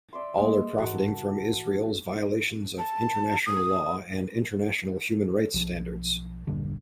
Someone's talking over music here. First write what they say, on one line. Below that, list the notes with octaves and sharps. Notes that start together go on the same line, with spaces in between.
All are profiting from Israel's violations of international law and international human rights standards.
D5 E5 C6
G3 G#3 A#3 C#6
G#2 E3 F#4 A4 A#4
G2 C#3
E3
A5
D#6
B1 F3
E1 A#1 G2 D3